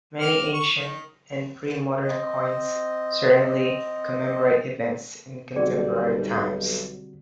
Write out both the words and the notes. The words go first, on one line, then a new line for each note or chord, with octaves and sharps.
Many ancient and pre-modern coins certainly commemorate events in contemporary times.
A#3 F6
C#6
D#3
C4 D#5
B1 D3 G3 C4 F#4 G#4 D5